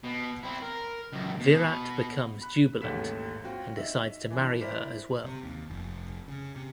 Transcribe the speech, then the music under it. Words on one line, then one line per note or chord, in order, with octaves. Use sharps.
Virat becomes jubilant and decides to marry her as well.
B2
C4 E4
A#4
C#2 F#2
B2
B5 F#6
A1 D#2 G#2 A3 B6 E7
C4 F4 F#4 G5
D#4 E5
E3 D4
E4 A#4 C5 D5 B6
C3
D#2
F1
C#3
C3